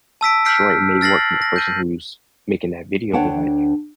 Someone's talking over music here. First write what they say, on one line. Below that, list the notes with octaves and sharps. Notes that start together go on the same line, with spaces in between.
sure, it may work for the person who's making that video, but, like,
A5 E6 B6 D7
F6 G6 B6 C7 D7
F6 A6 A#6 C7 F#7
A#6
G6 D#7
D2 D4 C#5 F#5 G5 A5